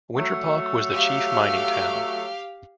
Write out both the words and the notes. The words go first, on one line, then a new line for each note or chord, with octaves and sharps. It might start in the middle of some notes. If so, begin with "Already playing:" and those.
Winterpock was the chief mining town.
F#3 A3
G4 F5